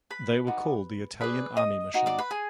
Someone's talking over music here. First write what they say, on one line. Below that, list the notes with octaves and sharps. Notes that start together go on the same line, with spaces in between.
They were called the Italian Army Mission.
B4 B5
D#4 F#4 D5
G#4 B4 D5 B5
D#5 D#6
D#4 F#4
D5 D6
B4 B5
G#4 G#5